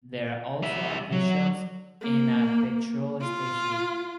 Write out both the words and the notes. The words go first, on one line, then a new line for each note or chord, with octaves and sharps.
There are also a few shops and a petrol station.
G3 E5
F#3
A#3
F4